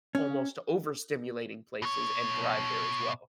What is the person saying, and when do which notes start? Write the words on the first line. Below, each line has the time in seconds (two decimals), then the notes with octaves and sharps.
almost overstimulating places and thrive there as well.
0.15 C#4
1.82 B2 C#5